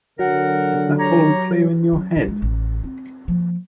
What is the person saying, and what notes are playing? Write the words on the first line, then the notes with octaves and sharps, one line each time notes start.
Is that all clear in your head?
D3 F#3 A#4 F#5
G4 C#5 A#5
F#3 C#4
A#1 C#3
G#3
A1
C4 F4
F3 A#3